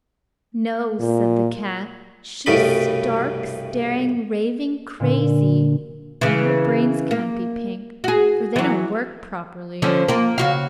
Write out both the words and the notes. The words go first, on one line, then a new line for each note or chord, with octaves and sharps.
"No," said the cat; "she's stark, staring, raving crazy, and her brains can't be pink, for they don't work properly."
A#2
C2 G2 B2 A3 C#4 B5
A#2 D3
C#3 E3
A#3
F#4 G#4
E3 F#3
D3 F3 C#4
A#3 F4
C#3 F#4 F5